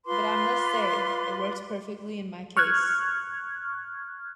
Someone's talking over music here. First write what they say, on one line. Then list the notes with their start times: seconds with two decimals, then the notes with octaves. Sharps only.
But I must say, it worked perfectly in my case.
0.06 F4 B4 C6 D6
2.57 C#6 F6 F#6 G#6